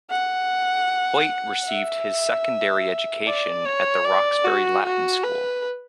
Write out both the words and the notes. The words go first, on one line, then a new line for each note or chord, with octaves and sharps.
Hoyt received his secondary education at The Roxbury Latin School.
F#5
E5
D5
C#5
D5
F#4
F#4
B4